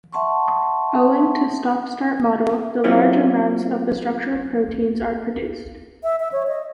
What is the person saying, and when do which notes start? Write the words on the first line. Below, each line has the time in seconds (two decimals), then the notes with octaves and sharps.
Owing to stop-start model, the large amounts of the structural proteins are produced.
0.13 E5 F#5 A5 C6 C#6
2.84 F#3 C4 C#4 E4 F4 G4
6.03 E5
6.20 E5
6.32 C#5
6.47 D#5